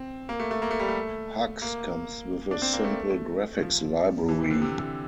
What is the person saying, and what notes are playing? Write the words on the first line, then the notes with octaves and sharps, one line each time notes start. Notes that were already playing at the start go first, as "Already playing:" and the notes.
Hugs comes with a simple graphics library.
Already playing: C4
A#3
A3
A3
A#3
A3
G3
A3
A#3
D4
C4
A#3
A3
F3
E3
C3
D3
C3
C3